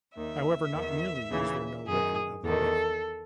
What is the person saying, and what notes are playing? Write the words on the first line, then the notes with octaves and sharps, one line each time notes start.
However, not merely is there no record of the wedding.
D#2 D#3 E5
E2 D#3
D#2 C#3 E3
F#2 D#3 G#4
E2 D#3 A4